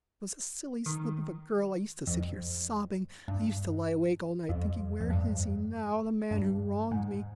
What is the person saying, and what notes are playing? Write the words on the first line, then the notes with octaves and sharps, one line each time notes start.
I was a silly slip of a girl; I used to sit here sobbing; I used to lie awake all night, thinking: 'Where is he now, the man who wronged me?
D#3
F2
G2
F2
F2
G2
G2
G#2